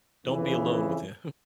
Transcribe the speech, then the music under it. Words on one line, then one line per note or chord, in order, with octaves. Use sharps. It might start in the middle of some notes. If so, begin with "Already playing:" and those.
don't be alone with him,
F2 C#3 E3